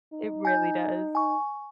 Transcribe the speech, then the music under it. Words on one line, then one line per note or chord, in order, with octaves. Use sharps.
It really does.
D#4
G#5 G6
G#5 C#6